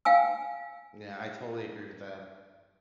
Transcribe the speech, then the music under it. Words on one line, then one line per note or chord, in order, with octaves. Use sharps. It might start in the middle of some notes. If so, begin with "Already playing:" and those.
Yeah, I totally agree with that.
F5 G5 G#5 E6